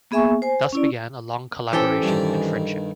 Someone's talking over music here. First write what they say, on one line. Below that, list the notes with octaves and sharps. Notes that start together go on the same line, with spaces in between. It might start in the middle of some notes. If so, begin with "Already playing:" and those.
Thus began a long collaboration and friendship.
A#3 B3 G#4 E5 G#5 C#6
C5 G#5
C#4 E4 D5
E3 C#4 G4 A4 C5 G5 G#5
G2 D#3